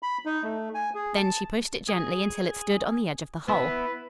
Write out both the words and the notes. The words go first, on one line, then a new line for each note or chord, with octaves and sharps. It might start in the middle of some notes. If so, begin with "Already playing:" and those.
Then she pushed it gently until it stood on the edge of the hole.
B5
D#4
A3
G#5
G#4
A5
G#4
B3 E4 B4 E5